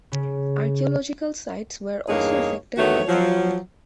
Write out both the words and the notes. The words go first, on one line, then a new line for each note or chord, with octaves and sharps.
Archeological sites were also affected by the oil.
C#3
E2 G2 A#3 D#4 G#4 C#5
E2 D#3 A3 B3 F#4 C#5
F3 F#3